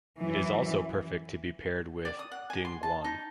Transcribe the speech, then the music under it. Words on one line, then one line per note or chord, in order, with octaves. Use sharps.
It is also perfect to be paired with dinuguan.
F#2 E3
D5
D#6
F#5
G#5
C6
A5
D#4